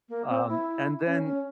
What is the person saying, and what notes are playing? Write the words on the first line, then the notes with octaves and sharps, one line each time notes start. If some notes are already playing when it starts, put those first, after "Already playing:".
Um, and then
A#3
C4
E4
C#4
C#4